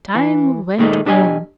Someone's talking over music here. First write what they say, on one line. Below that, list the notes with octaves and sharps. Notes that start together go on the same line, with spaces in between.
Time went on.
E3
A#2 D#3 G#3 A3 D#4
B1 D4 G4 D#5 G#5